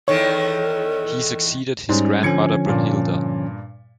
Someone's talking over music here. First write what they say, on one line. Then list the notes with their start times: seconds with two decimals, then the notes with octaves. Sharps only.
He succeeded his grandmother Brunhilda.
0.08 E2 D#3 E3 A4 C#5
1.89 G#2 G3 G#3 C#4
2.23 D3 F3 C#4 G#6 C#7
2.66 G2 A#2